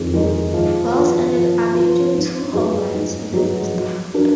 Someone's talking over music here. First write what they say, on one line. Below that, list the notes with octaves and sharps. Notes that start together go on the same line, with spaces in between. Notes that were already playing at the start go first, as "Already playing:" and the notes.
Wells ended up hitting two home runs in the first round.
Already playing: F2 D#3 G#3
D#3 G#3 D#4
F3
B3 F4
F3
B3 F4
G#2
F#3 B3 D#4 G#4
G#2
F#3 B3 D#4 G#4
F#3
D4 F#4 A#4